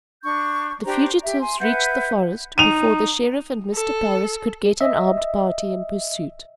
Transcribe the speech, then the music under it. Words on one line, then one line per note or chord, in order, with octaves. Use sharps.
The fugitives reached the forest before the sheriff and Mr. Parris could get an armed party in pursuit.
D4 C#6 G6
D4 G4 C5 A#5
G4 E5
G#5 C6
B4 E5 F#5 G6
D#4 D#7 F7
A4
D#5 E5